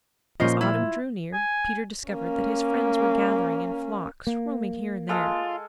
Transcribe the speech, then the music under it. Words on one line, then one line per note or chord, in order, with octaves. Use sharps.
As autumn drew near Peter discovered that his friends were gathering in flocks, roaming here and there.
A#2 F3 C#4 C5 D#5
E4 F4
G#5
A#3 C#4
A#3
G#3 F4 A4 F5